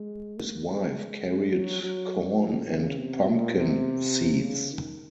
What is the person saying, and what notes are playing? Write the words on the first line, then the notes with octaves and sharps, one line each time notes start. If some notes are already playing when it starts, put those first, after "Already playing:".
His wife carried corn and pumpkin seeds.
Already playing: G#3
A#3
G#3
F#3
F#3
F3
C#3
C3
A#2
C3
C#3
D#3